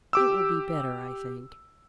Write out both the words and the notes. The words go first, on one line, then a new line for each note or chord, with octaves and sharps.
"It will be better, I think."
G4 D6 E6